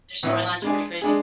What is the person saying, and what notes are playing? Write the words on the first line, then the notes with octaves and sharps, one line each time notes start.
Their story lines are pretty crazy?
A2 E3 B3 E4
G#3 D4 G#4
G#3 D4 G#4